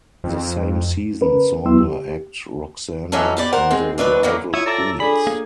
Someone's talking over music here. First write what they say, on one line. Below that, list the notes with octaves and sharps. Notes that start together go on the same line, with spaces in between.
The same season saw her act Roxana in the "Rival Queens".
F2
C#4 A#4 B4
E2 F#3 B3 E4 C6 E6
G4
E3 F#3 C#4 D#4 F#4 A4
B3 G4 D5
A#4 C5 F#5
G#3 C4
D#2 F#3 D4 B4
D3 E3 F#3 A#3
E4 F4 C#5 C#6 D#6
A4 D5 E5 A#5
D4 G#4 A4 D5 B5
A#3 G#4